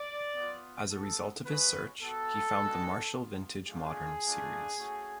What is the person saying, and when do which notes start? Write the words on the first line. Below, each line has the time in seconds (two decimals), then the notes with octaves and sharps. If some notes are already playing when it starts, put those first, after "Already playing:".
As a result of his search he found the Marshall Vintage Modern series.
Already playing: D5
0.34 B3 F4
0.90 B3 F#4 A4
1.45 G#3 C#4 F#4 B4
2.01 B3 F#4 A4
2.56 G#3 B3 D4 F#4
3.12 B3 F4
3.67 A3 D4 F4 G#4
4.23 A3 D4 F4
4.79 A3 C#4 F#4